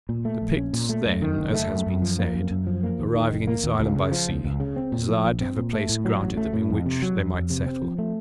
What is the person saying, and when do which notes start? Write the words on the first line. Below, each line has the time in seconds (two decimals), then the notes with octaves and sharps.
The Picts then, as has been said, arriving in this island by sea, desired to have a place granted them in which they might settle.
0.09 A#2
0.25 A3
0.42 A#1
0.57 C#4
0.73 A#2
0.89 A3
1.06 F#2
1.22 D#3
1.38 F#1
1.54 A3
1.70 F#2
1.86 F#2
2.02 F3
2.19 A#3
2.34 F#2
2.51 F#2
2.67 F3
2.83 A#3
2.99 D#2
3.15 D#3
3.31 F1
3.47 A#3
3.64 D#2
3.80 C#2
3.96 C#3
4.12 F3
4.28 C#2
4.44 C#2
4.60 C#3
4.76 C4
4.92 A#2
5.08 F3
5.25 A#1
5.41 C4
5.57 A#2
5.73 A3
5.89 A2
6.05 F#3
6.21 A1
6.37 A3
6.53 A2
6.70 F2
6.86 C3
7.02 F#3
7.18 F2
7.34 F2
7.50 C3
7.66 C4
7.82 F3
7.98 A3